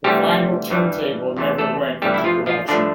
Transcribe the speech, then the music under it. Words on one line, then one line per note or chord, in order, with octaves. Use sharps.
The Finial turntable never went into production.
D2 C3 E3 G3 A3 G4
G2 E3 G3
E2 C3 E3 A3
A3 A4
G1 G2 E3 G3 A3 G4
E4
F3 F4
F3 F4
G2 D3 F3 A3 D4